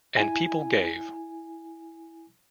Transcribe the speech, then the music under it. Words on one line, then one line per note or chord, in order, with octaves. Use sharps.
And people gave.
E4 G#5